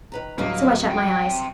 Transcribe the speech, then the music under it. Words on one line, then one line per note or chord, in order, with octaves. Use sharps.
So I shut my eyes.
D#3 B4 A#5
D1 G2 F#3 A#3 F#4 B4 D#5
C3 G5